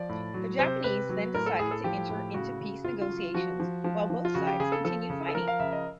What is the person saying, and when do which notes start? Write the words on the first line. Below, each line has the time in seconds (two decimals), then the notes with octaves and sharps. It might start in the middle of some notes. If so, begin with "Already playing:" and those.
The Japanese then decided to enter into peace negotiations, while both sides continued fighting.
Already playing: F3 D5
0.09 A2
0.34 F#3
0.59 C3 C5
0.84 C3 B4
1.09 F#3
1.34 A2 A#4
1.46 A4
1.59 A2 G#4
1.71 A4
1.84 F3 G4
2.09 A2
2.34 C#3 F#4
2.60 C#3
2.84 C#3 F4
3.01 F4
3.09 F#3
3.34 F3 F#4
3.60 F3
3.84 F3
4.10 F3
4.25 F4
4.34 C#3 F#4
4.47 G4
4.60 C#3 G#4
4.72 A4
4.85 F3 A4
5.10 C#3
5.29 A4
5.35 F3 A#4
5.48 F5
5.60 C#3 E5
5.72 D#5